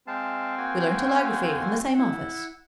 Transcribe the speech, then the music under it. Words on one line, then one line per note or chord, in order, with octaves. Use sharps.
We learned telegraphy in the same office.
G#3 C4 F5 A5
A#3 F#4 G#5
E4 F#5